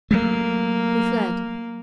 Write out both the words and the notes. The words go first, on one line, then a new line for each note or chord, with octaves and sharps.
We fled.
F#3 A3 A#3